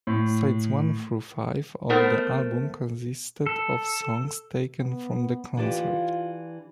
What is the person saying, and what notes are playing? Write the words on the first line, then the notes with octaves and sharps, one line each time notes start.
Sides one through five of the album consisted of songs taken from the concert.
A2
A3 B3 A#4 C5
A4
B3
E3 D4 F4 G4